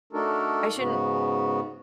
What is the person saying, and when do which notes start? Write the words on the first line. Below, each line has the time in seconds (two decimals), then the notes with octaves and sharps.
I shouldn't
0.13 A3 D4 D#4 F#4 A4 A#4
0.77 G#2 C#3 B3 F#4